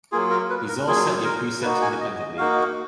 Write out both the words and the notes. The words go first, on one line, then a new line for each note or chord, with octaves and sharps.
These all set their precepts independently.
F#3 A#3 F4 G#4
A#4
B4
A#4
F#3 A#3 F4 G#4
A#4
A#3 D#4 F#4 B4
G#5
D#5
D#5
A#3 D#4 F#4 F5